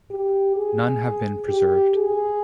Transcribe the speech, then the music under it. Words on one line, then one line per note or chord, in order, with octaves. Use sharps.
None have been preserved.
G4
G#4
G4
G#4